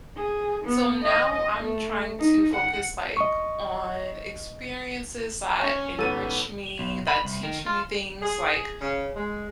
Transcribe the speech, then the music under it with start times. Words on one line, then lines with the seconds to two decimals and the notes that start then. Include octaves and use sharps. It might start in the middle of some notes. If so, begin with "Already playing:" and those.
So now I'm trying to focus, like, on experiences that enrich me, that teach me things, like,
0.16 G#4
0.65 B3
1.04 D#5
1.34 D#5
1.63 A3
2.19 D#4
2.54 F#5
3.17 D#5 C#6
5.60 C#4 C#5 G#5
5.99 G#1 B3 A4 D#7
6.79 B1
7.08 B5
7.24 C2
7.43 D#3
7.66 F4
8.22 G#4
8.81 C#3
9.16 G#3